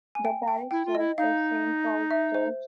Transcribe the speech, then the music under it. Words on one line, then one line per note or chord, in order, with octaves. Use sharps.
The parish church is Saint Paul's Church.
G#5
G5
G5
E4 G5
F4
D#5
E4
D#4 F5
E5
C5